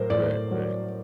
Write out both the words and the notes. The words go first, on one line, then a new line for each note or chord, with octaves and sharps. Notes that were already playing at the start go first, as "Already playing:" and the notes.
Right, right.
Already playing: A2 F#3 A#4 C5
A2 D5
F#3